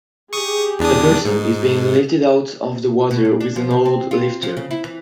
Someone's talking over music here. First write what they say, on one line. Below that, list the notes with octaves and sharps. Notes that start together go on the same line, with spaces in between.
A person is being lifted out of the water with an old lifter.
G4 G#4 C#6 D#6
E2 D4 D#6
G#2 D#4
B2
A#2
D4
F3
C3
C4
F4
F3
C#3
E4
E3